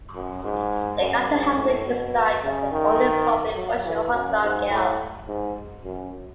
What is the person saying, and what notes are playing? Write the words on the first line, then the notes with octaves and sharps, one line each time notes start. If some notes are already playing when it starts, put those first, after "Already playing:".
The character has been described as the "only properly functional husband" of Gail.
F#2
G#2
F#2
G#2
A2
B2
C#3
D#3
F#3
E3
F#2
G#2
A2
G#2
F#2